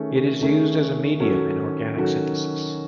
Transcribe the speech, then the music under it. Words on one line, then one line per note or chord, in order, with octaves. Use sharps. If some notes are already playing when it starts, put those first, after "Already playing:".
It is used as a medium in organic synthesis.
Already playing: D#3 A3 C#4 G#4
D#3 A3 C#4 G#4
D#3 F#3 C#4 F#4 A4
D#3 F#3 C#4 F#4 A4